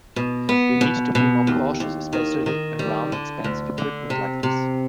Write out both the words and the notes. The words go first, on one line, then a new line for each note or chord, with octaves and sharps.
You need to be more cautious, especially around expensive equipment like this.
B2
B3
B2
B2
D#2
D#2
D#3
D#3
G3
D3
D2
D3
C3
C3